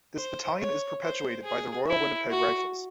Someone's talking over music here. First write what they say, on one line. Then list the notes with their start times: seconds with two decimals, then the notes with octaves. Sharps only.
This battalion is perpetuated by the Royal Winnipeg Rifles.
0.17 C5
0.60 C#5
1.02 C5
1.44 G#4
1.87 E4
2.30 F#4